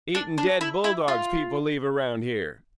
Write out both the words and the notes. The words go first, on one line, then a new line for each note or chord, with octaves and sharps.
"Eatin' dead bulldogs people leave around here."
D4
D4
E4
E4
F4